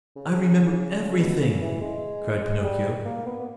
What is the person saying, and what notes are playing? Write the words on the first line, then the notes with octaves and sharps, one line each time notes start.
"I remember everything," cried Pinocchio.
C#3
C#3
B2
C#3
E3
G#3
G3
A#3
B3
B3